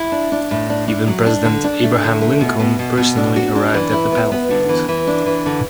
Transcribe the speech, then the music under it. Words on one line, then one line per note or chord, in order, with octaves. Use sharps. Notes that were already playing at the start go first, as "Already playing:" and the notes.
Even President Abraham Lincoln personally arrived at the battlefield.
Already playing: E4
D4
D4
A2
D4
D4
F#3
D4
D3
D4
A3
D3
A3
B2
B2
B2
B2
D4
F#4
D4
E3
E4
B3
B3
D3
E3
E3
D4
E3
D3